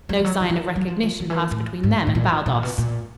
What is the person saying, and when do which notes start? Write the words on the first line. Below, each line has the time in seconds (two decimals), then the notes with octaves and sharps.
No sign of recognition passed between them and Baldos.
0.09 G3
0.19 F3
0.25 F#3
0.40 D#3
0.50 E3
0.56 D#3
0.76 F#3
0.88 F3
1.03 F3
1.20 D#3
1.30 E3
1.39 D#3
1.51 A2
1.83 G#2
2.07 A2
2.15 A#2
2.46 B2
2.54 A#2
2.63 B2
2.78 A#2